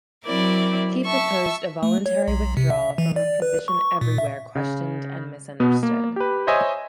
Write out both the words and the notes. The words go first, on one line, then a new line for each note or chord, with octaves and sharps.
He proposed a voluntary withdrawal from a position everywhere questioned and misunderstood.
F#3 C4 E4 A#4 D5
E5 A5 C#6 E6
A3
C#5
B1
C3
E5
E3
D5
B4
C#6
A#2
E5
C#3
B2 B3
A#3
G4 B4
C5 C#5 D#5 E5 G#5